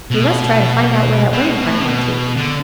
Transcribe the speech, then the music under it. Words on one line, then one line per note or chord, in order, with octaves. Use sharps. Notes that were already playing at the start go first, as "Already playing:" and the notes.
"You must try to find out where that wedding-party went to."
B2
B2
C#3
B2
A2
C#3
B2
D3